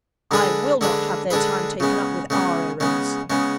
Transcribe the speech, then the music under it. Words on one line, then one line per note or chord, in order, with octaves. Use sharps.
I will not have their time taken up with our errands.
D3 G#3 D4 G#4 B4
D3 G#3 D4 G#4 B4
D3 G#3 D4 G#4 B4
C#3 G#3 B3
C#3 G#3 B3
C#3 G#3 B3
C#3 G#3 B3